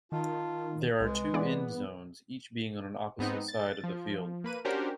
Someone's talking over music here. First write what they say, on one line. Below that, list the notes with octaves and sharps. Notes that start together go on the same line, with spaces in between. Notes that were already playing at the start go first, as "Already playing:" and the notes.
There are two end zones, each being on an opposite side of the field.
D#3 F4 A5
C2 G#3 B4
E3 B3 G#4 D5
G#2 B3 C4 D#4
A6
F3
A#3 B4 D#7
C#4 D4 F#4 G4 A#4 C5